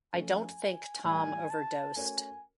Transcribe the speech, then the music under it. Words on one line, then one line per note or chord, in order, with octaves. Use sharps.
I don't think Tom overdosed.
F3 A3 C#4 G#5
A2 E3 G3 G#5
A5
A3 C#4 F#4 A#4 C#5 G#5